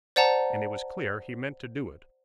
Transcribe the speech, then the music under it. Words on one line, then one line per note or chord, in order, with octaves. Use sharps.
And it was clear he meant to do it.
C5 D5 F#5 A5 A#5